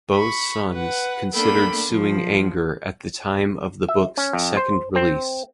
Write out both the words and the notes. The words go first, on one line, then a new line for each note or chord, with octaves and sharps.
Bow's sons considered suing Anger at the time of the book's second release.
B5 C#6
B4 F#5
A#3 B3 D4 A4 G5 B5
F3
E5
C#4
F2
C5
C4